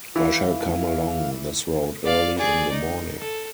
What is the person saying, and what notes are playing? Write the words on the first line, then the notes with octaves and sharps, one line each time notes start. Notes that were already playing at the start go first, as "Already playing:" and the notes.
I shall come along this road early in the morning.
E3 E4 F5
D5 F5
G#4 D5
D#4
A4